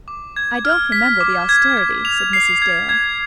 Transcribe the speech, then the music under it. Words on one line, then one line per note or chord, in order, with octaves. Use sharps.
"I don't remember the austerity," said Mrs. Dale.
D6
G#6
F6
B6
D6
G#6
G#6
F7
C7
G#6
G#6